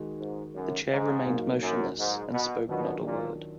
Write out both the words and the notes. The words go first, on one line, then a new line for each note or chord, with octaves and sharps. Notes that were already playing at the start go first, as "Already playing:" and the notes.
The chair remained motionless, and spoke not a word.
Already playing: D#3 G#3 D#4 F#4
G#2
F#2
G#2
A#2 F#3 A#3 D#4 F#4
F#2
G#2
B2
B2 D#3 F#3 D4 F4
A#2